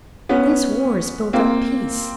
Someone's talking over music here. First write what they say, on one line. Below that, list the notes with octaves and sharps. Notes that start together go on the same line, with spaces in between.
These wars build up peace.
B3 C#4
A#3 C4